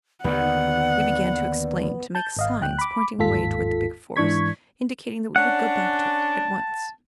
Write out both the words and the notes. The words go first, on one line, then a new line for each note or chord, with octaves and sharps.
We began to explain, to make signs pointing away toward the big forest--indicating that we would go back to it--at once.
D#2 D3 D#3 B3 D5 F#5
A5 G6
G#1 D#5 F5
D2 G5 F#6
B5 D6
G1 D#2 G#2 F4 A4 B6
G#2 E3 D4 C#6 G#6 B6
C#4 D4 F#5 A5